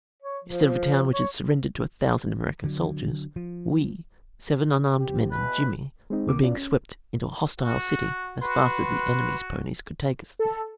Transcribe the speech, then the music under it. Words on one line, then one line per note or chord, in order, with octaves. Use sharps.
Instead of a town which had surrendered to a thousand American soldiers, we, seven unarmed men and Jimmy, were being swept into a hostile city as fast as the enemy's ponies could take us there.
C#5
F3
C#5
D3 F#3
F3
C4 G4
E2 B2 B4
G#3 C4 D#4
C#2 D3 A#3 D6
C#4 F4 D5
C#4
F#4
F#4 B4 C6
A4